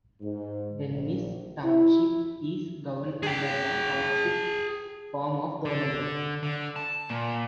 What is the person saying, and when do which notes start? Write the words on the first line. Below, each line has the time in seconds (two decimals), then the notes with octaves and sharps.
Dennis Township is governed under the Township form of government.
0.21 G#2
0.89 A#1
1.63 E4
3.23 G#4 G5
5.65 D3
6.43 D3
6.76 A5
7.10 A#2